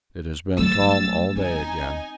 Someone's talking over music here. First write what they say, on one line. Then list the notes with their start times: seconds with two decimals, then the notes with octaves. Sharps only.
It has been calm all day again.
0.58 F#3 A3 E6 A6
1.36 C4 D#4 G#5